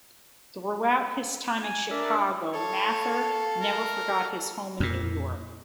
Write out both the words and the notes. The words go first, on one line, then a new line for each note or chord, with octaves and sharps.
Throughout his time in Chicago, Mather never forgot his home in New York.
G#5
D4 A#4 E5
A4 C#5 F5
A#4
F2 A#2